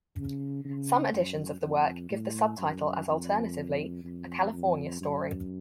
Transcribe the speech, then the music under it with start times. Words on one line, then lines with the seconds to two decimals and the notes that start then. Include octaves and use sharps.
Some editions of the work give the subtitle as alternatively, "A California Story".
0.17 C#3
0.65 C#3
1.13 F#2
1.61 F2
2.10 A2
2.58 F#2
3.07 F2
4.04 F2
4.52 F2
5.01 F#2